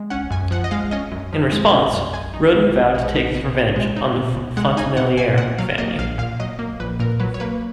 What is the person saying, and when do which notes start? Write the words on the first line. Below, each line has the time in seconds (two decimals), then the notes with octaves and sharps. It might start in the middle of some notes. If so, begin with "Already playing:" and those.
In response, Roden vowed to take his revenge on the Fontenellier family.
Already playing: G#3
0.10 C#4 F#5
0.31 F#2 G#5
0.51 F3 F#5
0.64 D#5
0.71 G#3 F5
0.91 C#4 D#5
1.12 F#2
1.33 F3
1.52 G#3
1.73 C#4
1.93 F#2
2.14 G#3 G#5
2.34 D#4
2.54 B2
2.75 B2
2.95 G#3
3.15 D#4
3.35 B2
3.55 B2
3.76 G#3
3.96 D#4
4.17 B2
4.37 B2
4.57 G#3 F#5
4.77 D#4 G#5
4.97 B2 F#5
5.17 B2 G#5
5.38 A#2 F#5
5.58 F#3 F5
5.78 A#3 D#5
5.99 A#1 F5
6.18 A#2 F5
6.40 F#3 D#5
6.59 A#3
6.80 A#1 B4
7.00 A#2 A#4
7.20 F#3 B4
7.34 C#5
7.40 A#3 B4